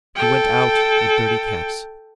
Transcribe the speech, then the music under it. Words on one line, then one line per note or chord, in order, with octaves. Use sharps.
She went out, with dirty caps.
A4 G5